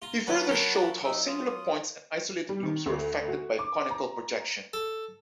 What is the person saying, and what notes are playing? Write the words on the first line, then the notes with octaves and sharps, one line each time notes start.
He further showed how singular points and isolated loops were affected by conical projection.
F4 A#5
F#3 B3 F#5 A5 B5
F#3 A#4
D#4 E5
F4 D#6
G3
D#3
D2
F#4
D6
A#5
A4